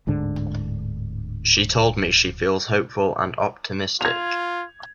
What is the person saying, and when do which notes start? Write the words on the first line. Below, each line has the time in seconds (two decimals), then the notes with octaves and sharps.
She told me she feels hopeful and optimistic.
0.07 D1 G#2 D3 D4
4.01 F4 G#6 F7